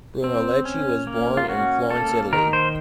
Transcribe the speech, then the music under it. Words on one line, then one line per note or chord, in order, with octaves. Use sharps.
Brunelleschi was born in Florence, Italy.
C4
C#4
A#3
F4
C#4 F#4
A#3 A4
D#3 A#4
C5